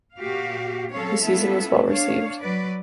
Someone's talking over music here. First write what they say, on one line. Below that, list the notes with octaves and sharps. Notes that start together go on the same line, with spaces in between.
The season was well received.
A#2 F#4 G4 F5
F#3 C4 C#4 A4 C#5 F5
B3 C#4 E4 F4 A4 E5
D4 C#5 F5
F#3 B4 D5